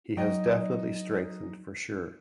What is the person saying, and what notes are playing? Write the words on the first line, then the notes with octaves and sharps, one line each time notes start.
He has definitely strengthened for sure.
F#3 D#4 D#5 G5